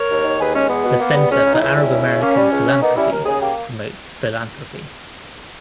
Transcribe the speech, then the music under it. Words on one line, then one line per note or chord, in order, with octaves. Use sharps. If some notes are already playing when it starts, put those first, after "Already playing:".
The Center for Arab-American Philanthropy promotes philanthropy.
Already playing: A#4 C#5
D#2
D#3
D#2 G#4 B4
G#3 C#4
E2 B3
B2
A#3
G3
C#2 C#4
C#3
D#4
C#2 C#4 E4
G3
D#2
C#3
A#3 C#4
G3
C#2
C#3
A#3 B3 D#4
G3 C#4 E4
D#2 A#4
C#3 G#4
A#3 G4